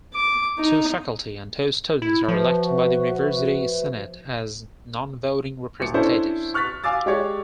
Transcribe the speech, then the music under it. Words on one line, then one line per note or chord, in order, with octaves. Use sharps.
Two faculty and two students are elected by the University Senate as nonvoting representatives.
D6
D#4
E4
F3 F#4 B4 E5
D#1 C#7
C#4 D4 E4 A4 C5
C#6 F6 F#6 A6 B6
F5 G#5 D6 E6 A6
G#3 G4 C#5 D5